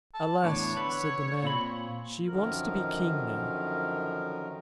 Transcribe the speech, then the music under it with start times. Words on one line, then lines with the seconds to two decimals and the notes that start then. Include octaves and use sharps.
"Alas," said the man, "she wants to be king now."
0.14 A5
0.44 E2 A2 D4 C#5
0.76 D3 B4
1.43 A#2 C4 B5
2.27 F#2 D3 D#3 F3 A#4